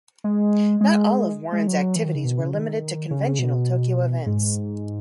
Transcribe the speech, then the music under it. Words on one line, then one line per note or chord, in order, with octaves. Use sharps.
Not all of Warren's activities were limited to conventional Tokyo events.
G#3
G#3
G#3
F#3
E3
D#3
C#3
B2
C#3
D#3
C#3
B2
G#2